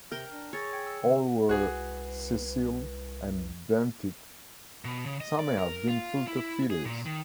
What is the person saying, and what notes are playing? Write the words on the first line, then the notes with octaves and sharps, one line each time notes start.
All were sessile and benthic; some may have been filter feeders.
C3 A#4 G5
D4
G#4 C#5 E6 A6 A#6
G5 G#6 C#7
E6
D3
C2 F#4 G#4 B4
B2
C#3
D#5
D5
A#4
F4
E4
G#4
A#2
D#3